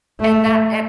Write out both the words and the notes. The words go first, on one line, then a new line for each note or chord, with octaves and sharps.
And that and
A3